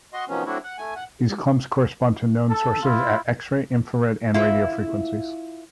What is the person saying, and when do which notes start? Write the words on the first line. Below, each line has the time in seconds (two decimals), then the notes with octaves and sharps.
These clumps correspond to known sources at X-ray, infrared, and radio frequencies.
0.13 F#4 D#5 C6
0.29 C3 D#3 F3 F#3 B3 C#4
0.46 F#3 A3 C4 D4 E4 F#4
0.64 F#5
0.78 A3 G#5
0.96 F#5
2.48 A4
2.83 E4 F4
4.34 E4 F4 B4